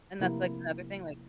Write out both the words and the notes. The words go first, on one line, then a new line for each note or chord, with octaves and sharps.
And that's, like, another thing, like,
C3 F3 A3 A#3 E4 A#4